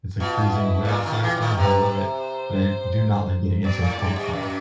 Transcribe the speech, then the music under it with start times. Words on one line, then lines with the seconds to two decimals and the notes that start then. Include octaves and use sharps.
It's, like, freezing and wet outside, oh, I love it. But I do not like getting into a cold car.
0.20 B2 F4
0.54 E4
0.85 A2
0.89 A#2 F4
1.06 D#3
1.23 E3
1.41 D#3
1.58 C3 B4
1.92 C5
3.64 B2 D5
3.82 A2
3.99 G#2
4.16 G2
4.33 F#2